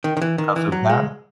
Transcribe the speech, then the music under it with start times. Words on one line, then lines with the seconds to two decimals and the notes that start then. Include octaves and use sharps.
because of that?
0.04 D#3
0.17 D#3
0.22 E3
0.38 D#3
0.56 E3
0.72 F#3
0.90 G#3